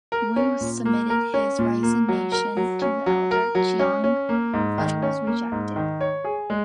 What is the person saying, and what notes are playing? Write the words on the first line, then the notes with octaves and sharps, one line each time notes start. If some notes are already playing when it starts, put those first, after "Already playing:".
Wu submitted his resignation to the elder Chiang but it was rejected.
A#4
C#4
A#2
A#3
A#4
C#4
A#2
A#3
F#3
A#4
F#3
C#4
F#3
A#4
F#3
C#4
C#4
A#3
G#2
D#3
C#4
A#3
G#2
D#3
C#5
G#4
G#3